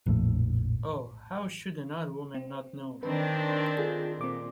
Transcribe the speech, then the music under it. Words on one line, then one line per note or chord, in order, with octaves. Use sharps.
Oh, how should another woman not know?
A#1 F2 A2
C4
D#3 C4 D4 B4
F4 G#4 A4
A#2 C4 D6